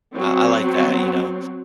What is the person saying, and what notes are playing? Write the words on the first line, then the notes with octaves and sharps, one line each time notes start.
I I like that, you know,
F#3 C4